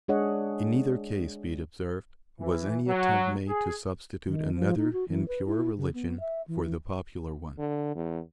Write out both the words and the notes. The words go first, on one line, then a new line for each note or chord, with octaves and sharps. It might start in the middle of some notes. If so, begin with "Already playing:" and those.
In neither case, be it observed, was any attempt made to substitute another and purer religion for the popular one.
G#3 D4 G#4 C#5 D#5 F#5
E3
F#3
G#4
D#3
F3
D#4
F#4
E3
B4
E4
C#3
B3
E5
E3
D3
E2